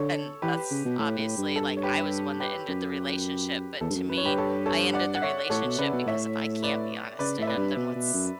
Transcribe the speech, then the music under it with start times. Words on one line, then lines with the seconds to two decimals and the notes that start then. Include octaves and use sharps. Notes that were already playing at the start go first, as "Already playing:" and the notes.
and that's obviously, like I was the one that ended the relationship, but to me, I ended the relationship because if I can't be honest to him, then what's
Already playing: D3 A4 C#5
0.42 E3 G4 B4
0.71 C#3
0.85 B2
0.99 A2
1.19 A2
1.37 G2
1.56 A4
1.77 C#5
1.83 G4 B4
2.40 G4 B4
2.69 F#2
3.81 E2 A4
3.90 G2
3.95 F#2
4.10 F#2 B4
4.17 C#5
4.23 G2 G4 B4
4.37 A4 C#5
4.66 A4 C#5
4.93 D5 F#5
5.15 F#5
5.22 C#5 E5
5.50 A2 A4 C#5
5.64 B2
5.79 C#3 B4 D5
5.93 B2
6.06 A2 C#5 E5
6.63 B4 D5
7.19 C#3 B4 D5
7.38 A2 E5
7.47 B4 D5
7.57 G2
7.77 B2
7.95 B2
8.14 F#2